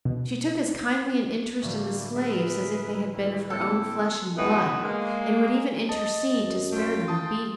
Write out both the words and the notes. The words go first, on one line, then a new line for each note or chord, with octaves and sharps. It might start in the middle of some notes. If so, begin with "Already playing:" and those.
She took as kindly an interest in the slaves as if they had been of her own flesh and blood, and would even intercede to spare them a beating.
B2
A2 D3 F#3 G3 A3 A#3
G#4 A#4 B4 E5
D#3 E4
A#3 C4 E4 A4 G5
F#2 A2 E3 B3 D#4 E5
G#3 A#3
D#5 A5
F#2
A3 F4 G5
A5 C6 D#6